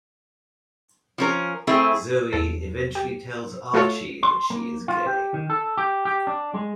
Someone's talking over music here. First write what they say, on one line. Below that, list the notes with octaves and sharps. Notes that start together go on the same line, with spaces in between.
Zoe eventually tells Archie that she is gay.
F3 C#4 A#4
A3 C4 E4 G#4
E2 A4
G4
A3 F4 F#4 A4 C#5
C6
A#3
F4
G4
D#3
A4
G4
G4
D4
G#3